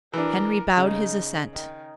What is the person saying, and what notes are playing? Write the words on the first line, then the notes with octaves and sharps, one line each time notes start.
Henry bowed his assent.
E3 D4 A#4
C#3 D#4
D#3